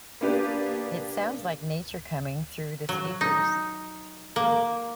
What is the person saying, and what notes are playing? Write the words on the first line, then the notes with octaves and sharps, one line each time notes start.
It sounds like nature coming through the speakers.
A#3 B3 D4 G4 B4
F#3
D#4
A#3